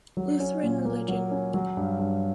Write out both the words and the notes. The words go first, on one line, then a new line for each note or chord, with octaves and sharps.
Lutheran religion.
F#3
C#4
A#2
A#3
F#3
C#4
F#3
G2
G2